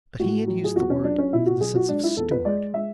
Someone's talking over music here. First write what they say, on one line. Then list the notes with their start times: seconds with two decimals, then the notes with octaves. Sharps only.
But he had used the word in the sense of Steward.
0.20 A2 F#4
0.48 F#3
0.64 G#4
0.76 E2 F#4
0.90 C#4
1.04 F#3 D4
1.18 C#4
1.32 B2 E4
1.46 F#4
1.61 F#3 G#4
1.75 F#4
1.89 G#3 D4
2.04 E4
2.17 E2 A4
2.31 B4
2.45 G#3 D5
2.74 G#3 E5